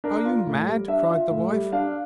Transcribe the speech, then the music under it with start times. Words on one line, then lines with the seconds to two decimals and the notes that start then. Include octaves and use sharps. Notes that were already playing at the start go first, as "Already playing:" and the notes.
'Are you mad?' cried the wife.
0.04 D4 A#4
0.25 F4
0.46 A2
0.67 G3
0.88 D4 E5
1.10 F4
1.30 A2
1.51 G3
1.72 D4 F5